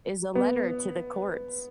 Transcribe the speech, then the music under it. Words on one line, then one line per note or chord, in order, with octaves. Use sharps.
is a letter to the courts.
B3